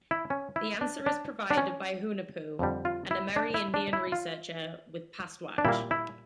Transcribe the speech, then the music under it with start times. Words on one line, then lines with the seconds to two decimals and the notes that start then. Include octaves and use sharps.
The answer is provided by Hunahpu, an Amerindian researcher with Pastwatch.
0.11 E4
0.30 C#4
0.56 E4
0.81 D4
1.06 D4
1.50 D4
1.57 C#4
2.59 F2 D3 G3
2.85 F4
3.11 E4
3.36 D4
3.54 E4
3.74 D4
3.93 E4
4.12 F4
5.58 D4
5.65 A#2 G3 A#3 E4
5.91 E4